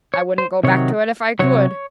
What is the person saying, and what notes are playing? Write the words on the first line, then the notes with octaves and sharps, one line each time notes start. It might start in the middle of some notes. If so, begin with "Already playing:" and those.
I wouldn't go back to it if I could.
C#5
C5
C3 D#3 F#3 C#5
C3 D#3 F#3 C#5